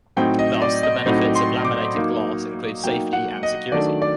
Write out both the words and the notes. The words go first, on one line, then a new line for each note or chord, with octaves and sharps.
Thus, the benefits of laminated glass include safety and security.
A2 F#3 C4 D#4 G5
D#5
D5
D#5
A2 F#3 C4 D#4
C6
D6
F#3 A#3 D#4
F#3 A#3 D#4 G5
F#5
D#5
D#3 F#3 A3 D4 D5
D5